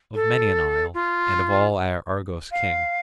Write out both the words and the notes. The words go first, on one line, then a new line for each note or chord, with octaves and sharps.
Of many an isle, and of all Argos king.
A4
F4
F5